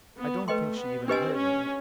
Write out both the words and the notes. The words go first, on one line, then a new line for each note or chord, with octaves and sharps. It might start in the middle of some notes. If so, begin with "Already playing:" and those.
I don't think she even heard me.
B3
A3 B4 D#5 G5 C6
B3
C4 D4 G4 B4 D#5 G#5
C#4